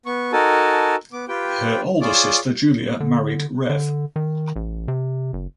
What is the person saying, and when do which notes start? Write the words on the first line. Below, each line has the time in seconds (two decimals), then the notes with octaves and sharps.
Her older sister Julia married Rev.
0.06 B3 C#6
0.33 D#4 F#4 A4 A#4 G#5 A5
1.13 B3 D6
1.28 F4 G4 B4 G5
2.01 F4 G#4 C#5 D5 D6
3.00 D3
3.69 D3
4.16 D#3
4.56 A1
4.88 C3
5.33 F#1